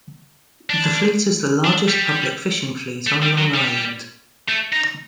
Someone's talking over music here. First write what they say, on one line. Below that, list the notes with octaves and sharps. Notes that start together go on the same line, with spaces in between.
The fleet is the largest public fishing fleet on Long Island.
D4
D4
G3
A3
G3
F#3
G3
A3
D#4